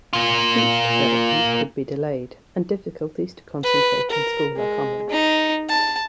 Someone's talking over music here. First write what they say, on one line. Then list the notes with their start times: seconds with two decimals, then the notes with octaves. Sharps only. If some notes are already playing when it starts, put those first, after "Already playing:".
Speech development could be delayed and difficulties to concentrate in school are common.
0.13 A#3 F4
3.64 B4
4.11 A#4
4.56 G#3
5.10 D#4
5.69 A5